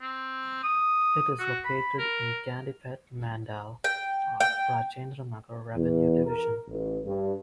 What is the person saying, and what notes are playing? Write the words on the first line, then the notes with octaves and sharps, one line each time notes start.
It is located in Gandipet mandal of Rajendranagar revenue division.
C4
D#6
F#4
B5
A#4
G5
G5
E2
A#4
A1
G2